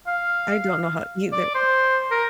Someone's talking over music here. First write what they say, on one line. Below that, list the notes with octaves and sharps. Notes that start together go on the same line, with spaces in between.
I don't know how either.
F5
D5
C5
A#4